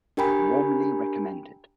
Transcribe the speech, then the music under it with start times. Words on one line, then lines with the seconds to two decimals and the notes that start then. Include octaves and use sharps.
Warmly recommended.
0.17 D4 G4 A#4 G5 G#5 B5